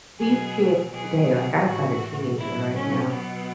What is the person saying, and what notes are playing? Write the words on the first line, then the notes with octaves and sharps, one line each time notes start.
these kids today, like I've got a teenager right now,
B2 F#3 G#4
B2 F#3 G#4
A2 E3 F#4
A2 F#3 E4
C#4
B2 F#3 B3